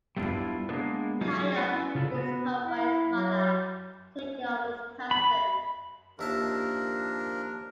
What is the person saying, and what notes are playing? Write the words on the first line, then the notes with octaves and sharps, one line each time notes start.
Kyle is told by his mother to take care of his cousin.
G3 A3 B3 D4 E4 F4
G#3 A#3 B3 D4 G#4 B4
F#3 A3 D#4 F4 F#4 G#4
C#4 E4 F#4 B4 D5 F#5
C#3 F4 A4 B4
B3 F#4
E4
F#3
B5
D#2 F3 D4 A#4 E5 A5